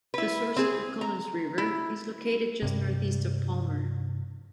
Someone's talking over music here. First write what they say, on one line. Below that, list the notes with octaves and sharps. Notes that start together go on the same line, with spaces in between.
The source of the Collins River is located just northeast of Palmer.
E4 B4
C4 G#4
A#5
E4
G2 C3